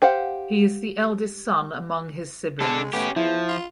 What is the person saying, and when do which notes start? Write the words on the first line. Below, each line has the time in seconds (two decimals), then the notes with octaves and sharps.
He is the eldest son among his siblings.
0.02 G4 C5 F5 F#5
2.61 G#3 D4 A4
2.93 A3 B3 C#4 G4
3.16 E2 F3 E4
3.48 F4